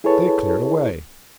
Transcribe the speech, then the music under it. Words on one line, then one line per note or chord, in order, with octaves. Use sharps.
They cleared away.
E4 G#4 A4 B4 C#5 A5